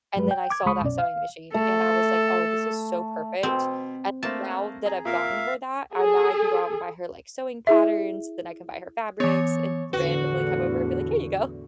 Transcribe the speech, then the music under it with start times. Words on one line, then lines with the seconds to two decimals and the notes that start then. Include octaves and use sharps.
And then I saw that sewing machine and I was like, "Oh this is so perfect," and now that I've gotten her that, and now I can go out and buy her, like, sewing patterns, then I can buy her fabrics and randomly come over and be like, "Here you go."
0.15 G2 F#3 G#3 B4
0.31 G5
0.50 D6 G#6
0.66 C#2 G#3 B5 C#6 D#6
0.81 C2 F#2 B2 C#4 D5
0.99 F5
1.54 A3 A4
3.43 B2 C4
4.23 A3 A#3 C5 A5
4.85 G#4 A#5
5.05 A#2 A#4 E5 F5 E6
5.93 G#4 A4
7.67 E4 G#4 E5
9.20 E3 B3 C#5
9.93 E2 A2 D3 F#4 B4